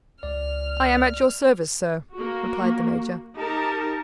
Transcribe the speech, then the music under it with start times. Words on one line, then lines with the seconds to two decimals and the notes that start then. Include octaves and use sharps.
"I am at your service, sir," replied the major.
0.23 C#2 D5 F6
2.13 A#3 F#4
3.36 D#4 G4 A#4 A5